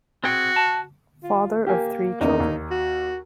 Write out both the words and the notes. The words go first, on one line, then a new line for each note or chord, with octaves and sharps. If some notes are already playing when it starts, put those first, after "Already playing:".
Father of three children.
C4 F#4 G#4 G5
A5
F4
A#3 G4 A#4 G#5
E2 C#3 A#3 D#4
D#2
F#4